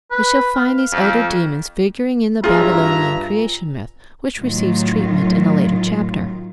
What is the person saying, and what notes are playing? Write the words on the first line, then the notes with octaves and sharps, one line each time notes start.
We shall find these elder demons figuring in the Babylonian Creation myth, which receives treatment in a later chapter.
B4
F5
F2
G2 F4 G#4 E5 A#5
A2 D#3 F#3 F4